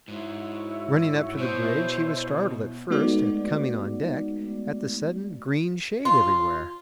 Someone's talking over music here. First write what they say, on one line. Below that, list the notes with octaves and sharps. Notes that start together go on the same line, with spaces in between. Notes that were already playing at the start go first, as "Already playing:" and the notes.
Running up to the bridge he was startled at first, at coming on deck, at the sudden green shade everywhere.
G#2 E4 F#4 C#5
B2 C5
G#3 A3 B3 D#4 F#4 D5
F4